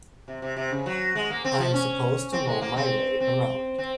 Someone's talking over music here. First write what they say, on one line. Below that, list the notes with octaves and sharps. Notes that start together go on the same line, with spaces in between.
I'm supposed to know my way around.
C3
C3
C3
C#3
F#3
G#3
A#3
C4
F3
C#4
C4
G#3
A#3
C4
C4
C4